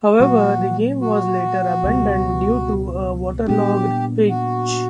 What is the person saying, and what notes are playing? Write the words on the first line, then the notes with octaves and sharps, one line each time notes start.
However, the game was later abandoned due to a waterlogged pitch.
A#2 F#3 A#3 F#4
F#4
C#2 B2 G3
A#2 G3 B3 D4 G4
F#4